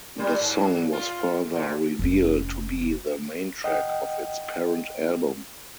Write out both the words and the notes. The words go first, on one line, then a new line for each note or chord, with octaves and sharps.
The song was further revealed to be the "main track" of its parent album.
A#2 G3
G#2
F4
A#2
F1 C#4
D#5 F#5 G5